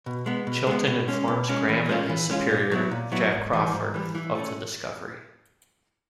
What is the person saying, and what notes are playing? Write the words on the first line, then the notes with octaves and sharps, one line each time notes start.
Chilton informs Graham and his superior, Jack Crawford, of the discovery.
B2
G#3 B3
B2
G#3 B3
B2
G#3 C#4
B2
G#3 C#4
E3
G#3 C#4 F4
E3
G#3 C#4 F4
A#2
F#3 B3 E4
A#2
F#3 B3 E4
G#2
E3 G3
G#2
E3 G3
E3
A3 C#4